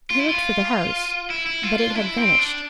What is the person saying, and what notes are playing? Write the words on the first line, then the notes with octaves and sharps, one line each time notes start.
He looked for the house, but it had vanished.
F4
E4
F4
E4
E4
F4
F4
D4
E4
C4
D4